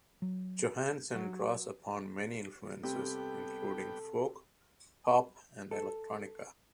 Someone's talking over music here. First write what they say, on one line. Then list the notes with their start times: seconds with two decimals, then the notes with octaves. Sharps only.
Johansen draws upon many influences, including folk, pop, and electronica.
0.22 F#3
1.15 F#3
2.83 C3 G3 B3 A4 G5
5.71 A4